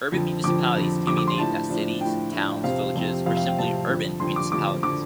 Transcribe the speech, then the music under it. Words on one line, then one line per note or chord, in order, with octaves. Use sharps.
Urban municipalities can be named as cities, towns, villages or simply urban municipalities.
F2 D3 F3
F2 D3 F3 D6
F2 D3 F3
F2 D3 F3 D6
D6
C6
A2 F3 D4 A5
A2 F3 D4
A2 F3 D4 G5
A2 F3 D4
F2 C3 F3 C4 F5
F2 C3 F3 C4
F2 C3 F3 C4 F5
F5
G5
F2 C3 F3 C4 A5
F2 D3 F3
F2 D3 F3 C6
D6
F2 D3 F3 D6
D3 F3 D6